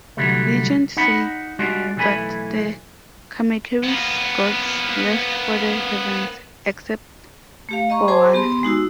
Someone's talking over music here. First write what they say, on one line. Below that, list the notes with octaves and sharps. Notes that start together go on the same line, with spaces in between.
Legends say that the Kamekeri's gods left for the heavens, except for one.
C2 F2 D3 F#3 G3 A3
D#4 F#5 B5
G3 G#3 D4 F4 F#4
B1 E3 A3 G#5 B5
A#3 B3
A3 G4 F5
D#5 A#5 C#6
G#4 C5 G#5 A5 C6 D6
B3 G4 C6
G#3 D#4 F#4 E6